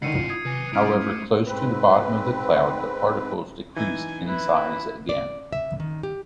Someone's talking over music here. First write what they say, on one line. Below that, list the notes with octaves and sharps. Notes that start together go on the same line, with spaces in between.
However, close to the bottom of the cloud, the particles decreased in size again.
D3 D#3 C#4 D#4 E4 C7 C#7 D#7
F4 C#7 D#7
D#6 G#6
C3 B4 G#5
G3 C#4 E4 D6 F6 D7
A3
G#2 C4 B4
E3 D#4 E5 G#5
E4 B4
D5
E5
D#3
G4